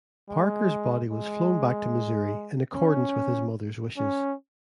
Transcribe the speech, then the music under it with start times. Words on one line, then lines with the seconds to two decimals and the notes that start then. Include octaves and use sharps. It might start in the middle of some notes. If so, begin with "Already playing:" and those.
Parker's body was flown back to Missouri, in accordance with his mother's wishes.
0.29 G#3
1.11 G#3
2.75 C#4
3.97 C#4